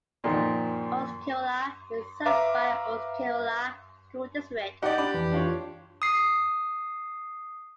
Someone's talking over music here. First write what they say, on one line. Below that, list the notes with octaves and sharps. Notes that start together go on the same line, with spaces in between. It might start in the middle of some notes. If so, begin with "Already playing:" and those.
Osceola is served by the Osceola School District.
A#2 D#3 F3
B4 E5 F5 A#5 D6
D#4 G4 D5 F#5
D4 D5 B5
F2 E3
D4 F4 C#5
D#6 C7